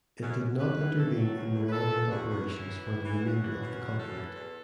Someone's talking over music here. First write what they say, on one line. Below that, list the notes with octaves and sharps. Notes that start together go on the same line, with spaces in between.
It did not intervene in relevant operations for the remainder of the conflict.
F#2
F#2
E2 B4
E3
A2 A4
F#3
E2
E2
B4
E2 A4
E2
E2 F#4
E2
F#2 E4
E3
A2
E3
F#2 F#4
E3
F#2
F#3
F#2 A4
E3
E2